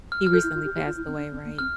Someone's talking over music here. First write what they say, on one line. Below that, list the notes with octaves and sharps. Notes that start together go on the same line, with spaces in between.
he recently passed away, right,
F6
F6
A4 G6
E4
F4
G4
G4
F4
E4
C4
D4
C4
A#3
C4 F6